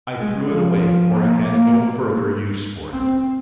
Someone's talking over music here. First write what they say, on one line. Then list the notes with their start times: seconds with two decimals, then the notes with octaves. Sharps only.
"I threw it away, for I had no further use for it."
0.20 G#3
0.50 F3
0.81 F3
1.11 A#3
1.42 A#3
2.93 C4